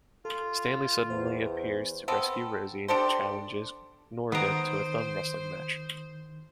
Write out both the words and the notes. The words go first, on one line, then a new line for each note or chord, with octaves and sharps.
Stanley suddenly appears to rescue Rosie and challenges Gnorga to a thumb-wrestling match.
F4 A4
E2 C5
B3 C4 A4
D4 G4 A4 C5
D#3 B3 C5 A#5 D#6 C7 D7